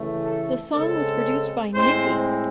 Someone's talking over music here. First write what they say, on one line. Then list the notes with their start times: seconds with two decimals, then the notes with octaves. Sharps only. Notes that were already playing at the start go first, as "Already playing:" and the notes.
The song was produced by Nitti.
Already playing: C#3 E3 A3
0.24 A4
0.74 C#3 G#3 C4 A4
1.74 A2 G#3 C4 C5